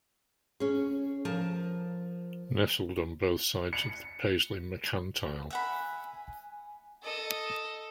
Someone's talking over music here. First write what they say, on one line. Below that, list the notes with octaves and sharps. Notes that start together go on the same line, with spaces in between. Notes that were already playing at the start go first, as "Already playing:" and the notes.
Nestled on both sides of the Paisley Mercantile.
C#4 G#4
F3 A#4 A5
C#7
E5 F#5 G#5 B5
A4 D#5